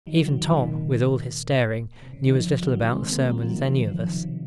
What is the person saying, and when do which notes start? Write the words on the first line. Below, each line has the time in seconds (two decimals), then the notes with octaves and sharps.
Even Tom, with all his staring, knew as little about the sermon as any of us.
0.07 D#3 F#3
0.26 D#3 F#3
0.45 C3 D#3
0.63 A#2
2.02 C3
2.13 C#3
2.25 D#3
2.35 C#3 F3
2.64 D#3 F#3
2.92 G#3 C4
3.12 F#3 A#3
3.30 F#3 A#3
3.43 F3
3.50 D#3 F#3
3.68 C#3 F3
3.87 C#3 F3
4.07 C3 D#3